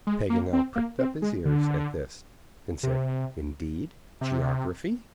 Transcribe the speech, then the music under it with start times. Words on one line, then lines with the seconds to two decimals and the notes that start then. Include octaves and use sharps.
Paganel pricked up his ears at this, and said, "Indeed, geography!"
0.07 G#3
0.30 A#3
0.53 C4
0.76 A#3
0.99 C4
1.22 G#3
1.45 D3
2.83 C3
4.21 C3